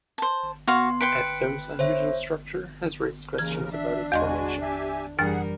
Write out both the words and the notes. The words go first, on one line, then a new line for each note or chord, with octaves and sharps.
Astove's unusual structure has raised questions about its formation.
C5 A5
B3 F#4 F5 C6 C#6
B4 G5 C6 C#7 D7
C5 C#5 E5
D#2 C#3 E3 A#4 G#6
D4 E5
E2 G#3 F#4 D#5 G#5 C6
G4 E5 G#5
F#2 E3 G3 D4 G#4 A#4 F#5